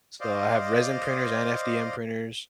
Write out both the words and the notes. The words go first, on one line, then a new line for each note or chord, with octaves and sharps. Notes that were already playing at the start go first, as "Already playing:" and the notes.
So, I have resin printers and FDM printers.
C5 D5 D#5 F5